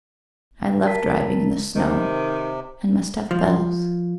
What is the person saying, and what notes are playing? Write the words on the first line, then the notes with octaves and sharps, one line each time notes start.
I love driving in the snow ... and must have bells....
A#4 A5 B6
C3 D#3 D#5
F3